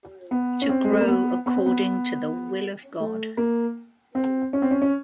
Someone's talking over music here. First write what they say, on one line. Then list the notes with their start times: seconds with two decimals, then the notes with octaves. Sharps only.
To grow according to the will of God!
0.31 B3
0.62 C#4
0.69 C4
0.85 G#3
0.92 A3
1.01 A#3
1.08 B3
1.46 B3
1.56 C4
1.66 B3
3.00 A3
3.37 A#3
4.15 C4
4.53 C#4
4.62 C4
4.71 C#4
4.82 C#4